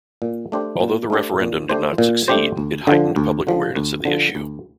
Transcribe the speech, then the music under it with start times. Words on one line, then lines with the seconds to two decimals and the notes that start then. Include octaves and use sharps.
Although the referendum did not succeed, it heightened public awareness of the issue.
0.22 A#2
0.52 A3 D4 G4 C5
0.80 A#2
1.10 A3 D4 G4 C5
1.40 A#2
1.69 A3 D4 G4 C5
1.98 A#2
2.28 A3 D4 G4 C5
2.57 D2
2.87 D3 F3
3.16 D2
3.47 D3 F3
3.76 D2
4.05 D3 F3
4.35 D2